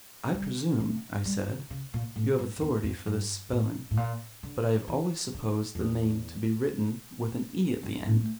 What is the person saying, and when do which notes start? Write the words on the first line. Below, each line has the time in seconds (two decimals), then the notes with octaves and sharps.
"I presume," I said, "you have authority for this spelling, but I have always supposed the name to be written with an e at the end."
0.34 G3
0.80 A3
1.25 G3
1.48 C#3
1.70 C#3
1.94 A#2
2.16 A2
2.38 G2
2.61 E2
2.83 F2
3.06 G2
3.52 A2
3.91 A2
3.97 A#2
4.43 D3
4.88 E3
5.34 D3
5.75 F2
5.80 E2
7.83 G2
8.06 A2
8.21 A3